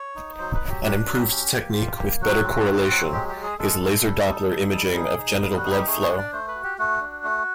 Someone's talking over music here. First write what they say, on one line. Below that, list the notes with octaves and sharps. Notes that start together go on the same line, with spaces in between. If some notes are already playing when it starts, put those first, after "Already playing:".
An improved technique with better correlation is Laser Doppler imaging of genital blood flow.
Already playing: C#5
D#4
F#3 C5
B4
F#3
G4
D4 G4
F#3 F#4
G4
C#4 G4
A#3
F4
A#3
F#3 F#4
C4
C4
F#3
G#3 G4
G4
G#3
G#4
G#3 A4
G#3
G3
D#4
D#4
G3
D#4 G#4
D#4
G3
F#4
D#4
G4
A3 G#4
G#4
D4
D5
A3 C5
B4
F#4
G4
A3 F#4
D4
A3